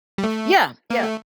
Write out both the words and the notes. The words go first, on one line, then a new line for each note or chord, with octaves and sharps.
Yeah, yeah.
G3
A3
A#3
A3